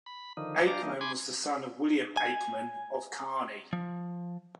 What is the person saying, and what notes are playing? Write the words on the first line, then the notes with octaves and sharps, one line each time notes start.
Aikman was the son of William Aikman, of Cairney.
B5
D3 D#3 F3 D#4
D4 G4 D5 F5 A#5
E3 G3 A#3 D4 D#4
G#5 B5 C6 D6 G#6
G#5
F3